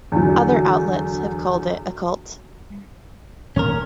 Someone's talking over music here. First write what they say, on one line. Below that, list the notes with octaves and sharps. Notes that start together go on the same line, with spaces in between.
Other outlets have called it a cult.
E2 D3 F#3
A#2 D#3 A3 C#4 A#4